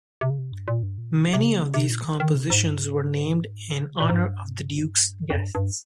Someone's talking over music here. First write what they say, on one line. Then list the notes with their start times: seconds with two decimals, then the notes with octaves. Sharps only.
Many of these compositions were named in honor of the Duke's guests.
0.21 C3
0.30 C#3
0.39 C3
0.52 G2
0.68 A#2
0.83 G2
0.98 A#2
1.14 C3
1.33 C3
1.44 C#3
1.74 C3
1.89 A#2
2.05 D#3
2.20 D#3
2.35 C3
2.50 G#2
2.65 G2
2.81 G#2
3.83 C#3
3.92 C3
4.00 A#2
4.09 G#2
4.18 G2
5.30 F2
5.38 G2
5.55 G2